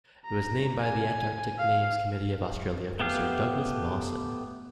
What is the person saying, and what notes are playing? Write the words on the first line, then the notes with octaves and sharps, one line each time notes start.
It was named by the Antarctic Names Committee of Australia for Sir Douglas Mawson.
A#5
G#5
F5
A3 B3 G4 F5